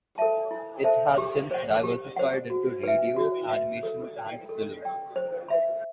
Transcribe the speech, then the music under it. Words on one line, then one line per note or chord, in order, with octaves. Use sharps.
It has since diversified into radio, animation and film.
A4 C5 E5 A5
E4
A4 C5 E5 A5
G4
C5 F#5
G4
C5 F#5
F#4
B4 E5
F#4
B4 E5
A4
D5 G5
A4
D5 G5
C5
E5 B5